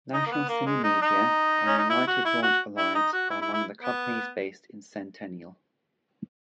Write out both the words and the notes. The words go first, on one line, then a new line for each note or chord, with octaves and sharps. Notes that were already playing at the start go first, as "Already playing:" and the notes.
National CineMedia and United Launch Alliance are among the companies based in Centennial.
D#4
A#3
B3
A#3
G#3
D#4
D#4
C#4
D#4
E4
F#4
E4
F#4
E4
D#4
F#4
E4
E4
E4
B3